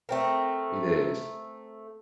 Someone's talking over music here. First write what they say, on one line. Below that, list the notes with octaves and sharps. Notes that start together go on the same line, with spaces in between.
It is.
A3 C4 A#4